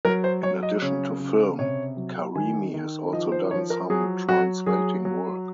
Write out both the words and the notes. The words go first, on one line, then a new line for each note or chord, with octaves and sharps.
In addition to film, Karimi has also done some translating work.
F#3 A#4
C5
F#3 C#5
D#5
C#3 C#5
C#3
C3 C#5
F#3
D#3 G#5
D#3
F3 D#5
C5
F3 C#5
A#4
F#3 G#4
F#3 F#4
F#3 G#4
F#3